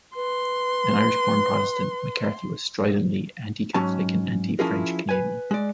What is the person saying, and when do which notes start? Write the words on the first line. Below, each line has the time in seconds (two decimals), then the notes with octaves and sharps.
An Irish-born Protestant, McCarthy was stridently anti-Catholic and anti-French Canadian.
0.16 B4 C6
3.74 G#2 F#3 C#4 A5
4.59 F3 C#4 E4 F4 G#4 A#4
5.09 B4 G#5
5.51 G#3 D5